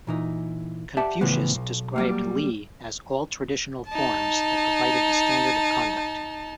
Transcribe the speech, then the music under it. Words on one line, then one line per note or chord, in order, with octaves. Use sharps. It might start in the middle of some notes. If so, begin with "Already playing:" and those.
Confucius described "Li" as all traditional forms that provided a standard of conduct.
A#2 E3 D#4
G4 D5 E5 F#5 A5
A2 C#3 E3 F3 B3
B1
F#3 G3 A#3
D#4 A5